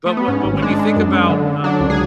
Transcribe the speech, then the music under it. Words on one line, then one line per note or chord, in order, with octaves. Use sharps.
But wh but when you think about, um,
A3
B3
G#2 C#4
G#1
C#4
G#3 D4
G#3
F#2
G#3
D3
D3
F#3 D4
C#2
G#4